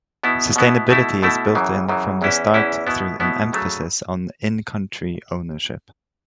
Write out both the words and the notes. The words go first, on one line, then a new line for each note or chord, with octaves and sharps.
Sustainability is built in from the start through an emphasis on in-country "ownership".
B2 B3 E4
B2 B3 E4
B2 A3 E4
B2 A3 E4
F#2 C#3 E3
F#2 C#3 E3
E2 E3 C#4 E4
E2 E3 C#4 E4
B2 B3 E4
B2 B3 E4
C#3 F#3 A3